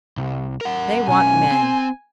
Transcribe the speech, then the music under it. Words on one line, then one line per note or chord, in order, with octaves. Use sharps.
They want men.
C2
A#4 F#5
B1 C#4 G#5
C4